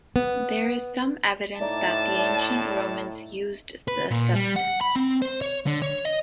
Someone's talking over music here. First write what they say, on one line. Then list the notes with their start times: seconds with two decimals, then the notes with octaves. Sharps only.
There is some evidence that the ancient Romans used the substance.
0.16 B3
1.60 A2 D#4 D5 E5 A5
3.88 B4
4.11 A#2
4.34 G3
4.56 F#5
4.81 B5
4.96 C4
5.22 C5
5.41 C#5
5.66 D3
5.82 C#5
6.05 D#5